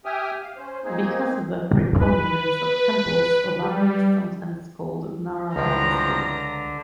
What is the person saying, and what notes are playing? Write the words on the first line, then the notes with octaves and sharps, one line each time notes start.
Because of the preponderance of temples, Obama is sometimes called "Nara by the sea".
G4 E5 G5 G#5 D#6 F6
F5
C#4 C5
A#3 C4 D#4 G#4
B4
G3
C#2 G2 D3 E3 F3 D4 A#5